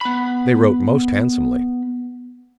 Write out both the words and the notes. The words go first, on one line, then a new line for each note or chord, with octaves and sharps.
They wrote most handsomely.
B3 B5